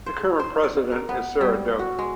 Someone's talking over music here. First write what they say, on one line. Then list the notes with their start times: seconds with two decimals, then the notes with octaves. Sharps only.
The current president is Sara Doke.
0.06 C5
0.39 C5
0.64 D5
0.92 A#4
1.09 B3
1.41 G3
1.79 F#4
1.99 G#3